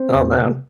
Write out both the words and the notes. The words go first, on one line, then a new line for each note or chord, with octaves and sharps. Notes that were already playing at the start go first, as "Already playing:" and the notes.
Oh man.
Already playing: C4 C5
E2
C3